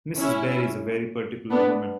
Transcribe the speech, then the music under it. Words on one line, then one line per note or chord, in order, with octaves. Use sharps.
Mrs. Barry is a very particular woman.
C#4 E4
B3 D4